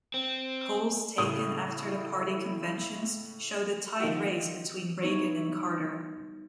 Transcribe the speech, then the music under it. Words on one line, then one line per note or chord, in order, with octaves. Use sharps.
Polls taken after the party conventions showed a tied race between Reagan and Carter.
C4
A2 C#3 E4 D#6
D#3 F3 D#4 E4 F#4 G4
F#3 G3 B3 D#4 E4 C#5